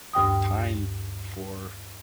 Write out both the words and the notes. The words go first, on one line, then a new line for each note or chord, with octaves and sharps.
time for,
D2 G2 G5 D#6